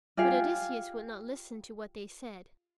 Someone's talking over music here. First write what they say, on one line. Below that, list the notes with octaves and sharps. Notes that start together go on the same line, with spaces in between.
But Odysseus would not listen to what they said.
F4 G4 G#4 F5